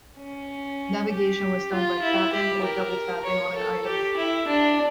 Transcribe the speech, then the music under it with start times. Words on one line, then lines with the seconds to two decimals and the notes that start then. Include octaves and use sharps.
Navigation was done by tapping or double tapping on an item.
0.19 C#4
1.11 G4
1.72 F4
2.03 E4
2.33 G4
2.64 A#4
3.25 C#5
3.56 A4
3.86 G4
4.17 E4
4.48 D4